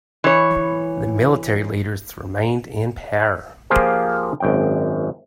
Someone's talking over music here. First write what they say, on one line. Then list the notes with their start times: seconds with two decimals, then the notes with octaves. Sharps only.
The military leaders remained in power.
0.24 E3 C#5
3.70 F3 A#3 F4 G4 G#4 C5
4.40 G#1 F#2 G5